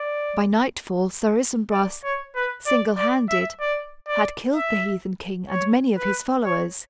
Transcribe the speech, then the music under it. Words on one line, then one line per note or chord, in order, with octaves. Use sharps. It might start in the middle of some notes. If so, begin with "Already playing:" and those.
By nightfall Sir Isumbras, single-handed, had killed the heathen king and many of his followers.
Already playing: D5
D5
C#5
B4
D5
D5
E5
D5
D5
E5
C#5
B4
C#5